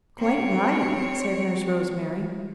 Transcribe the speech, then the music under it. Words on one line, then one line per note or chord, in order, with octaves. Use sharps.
"Quite right," said Nurse Rosemary.
C4 C#5